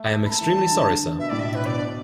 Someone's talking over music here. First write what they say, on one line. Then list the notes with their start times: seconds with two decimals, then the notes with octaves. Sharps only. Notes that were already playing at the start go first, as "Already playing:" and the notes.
I am extremely sorry, sir.
Already playing: A3
0.25 A3 A5 B5
0.41 E3
0.56 G3
0.71 D3
1.19 B2 E5
1.29 A2 D5
1.39 B2 E5
1.54 B4
1.62 D3
1.66 B2 D5